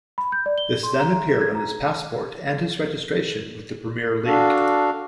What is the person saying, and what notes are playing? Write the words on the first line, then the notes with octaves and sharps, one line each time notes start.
This then appeared on his passport and his registration with the Premier League.
B5
G6
D5
G7
C6
A#5
A#5
E5
G#6
A#5
D4 F#4 A4 F5